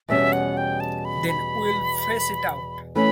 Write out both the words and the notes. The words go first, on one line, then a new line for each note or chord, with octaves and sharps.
Then we'll face it out.
E2 B2 G3 C#4 E5
F#5
G5
A5
B5
B5
E3 A3 C#4 B5